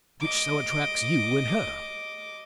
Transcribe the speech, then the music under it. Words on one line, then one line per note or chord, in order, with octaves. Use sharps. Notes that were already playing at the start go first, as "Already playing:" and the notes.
Which so attracts you in her.
D#5 D6